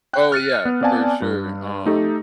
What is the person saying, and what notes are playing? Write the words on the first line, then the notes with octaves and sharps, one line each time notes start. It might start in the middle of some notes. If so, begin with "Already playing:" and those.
Oh, yeah, for sure, um,
G5 F#6
F6 A6 C#7 D#7
B3
B3 C4 D5 F5 G#5 A5
G2
A3 D#4 G4 A4